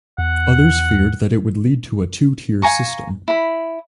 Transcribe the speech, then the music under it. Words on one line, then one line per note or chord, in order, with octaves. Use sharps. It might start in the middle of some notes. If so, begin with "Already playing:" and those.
Others feared that it would lead to a two-tier system.
E2 F#5
F5 G#5 A#5 C#6
E4 B5